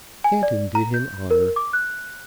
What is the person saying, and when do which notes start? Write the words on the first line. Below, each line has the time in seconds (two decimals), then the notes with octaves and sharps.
Canton did him honor.
0.24 G#5
0.43 D5
0.75 A#5
0.94 G6
1.31 A#4
1.56 D6
1.73 F#6